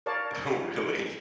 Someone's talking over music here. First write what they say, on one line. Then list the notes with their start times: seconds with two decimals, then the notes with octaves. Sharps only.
Oh, really?
0.06 A#4 C#5 D5 F5 A5